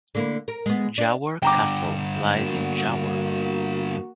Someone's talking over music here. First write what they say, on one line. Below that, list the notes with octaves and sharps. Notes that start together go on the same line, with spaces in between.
Jawor Castle lies in Jawor.
D3 A#3 E4
A#4
G#3 B3
D4
G2 D3 G5 A#5 D6
A#3 F#4